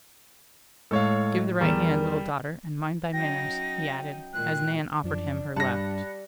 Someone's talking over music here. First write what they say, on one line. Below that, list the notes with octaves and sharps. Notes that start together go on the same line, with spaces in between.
"Give the right hand, little daughter, and mind thy manners," he added, as Nan offered him her left.
A2 G#3 A4 C#5 F5
E2 G3 A#4 E7
F#3 C#4 D#4 G5 A#6
A#2 D#3 G#3 F#6
F#2 F3 D4
G2 G3 A5 B5 F#6 A#6 C#7